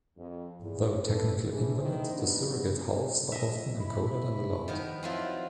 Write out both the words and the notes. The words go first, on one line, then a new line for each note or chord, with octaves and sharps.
Though technically invalid, the surrogate halves are often encoded and allowed.
F2
E2
C3 A4 B4
F2 A#2 E3 D4 G#4
D#3 A#3 E4 C5
G2 E3 F#3 B3 D4 D#4
D#5 E5
E4 B5
D#3 F3 B3
F3 F#3 C4 E4 F4